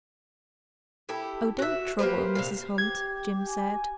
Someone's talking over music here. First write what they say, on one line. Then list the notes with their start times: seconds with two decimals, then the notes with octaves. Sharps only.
"Oh, don't trouble, Mrs. Hunt," Jim said.
1.09 E4 G4 A4
1.59 F#4 E5
1.99 A#3 G4 B4 C5
2.35 C3 D5 F5
2.78 G4 G#6
3.45 G#5